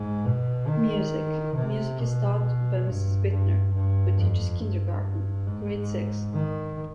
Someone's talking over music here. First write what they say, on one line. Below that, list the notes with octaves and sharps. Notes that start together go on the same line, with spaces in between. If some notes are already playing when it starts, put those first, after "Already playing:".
Music: Music is taught by Mrs. Bittner, who teaches Kindergarten - Grade Six.
Already playing: G#2
B2
D#3
C3
B2
G2
G2
G2
F2
G2
G#2
D#3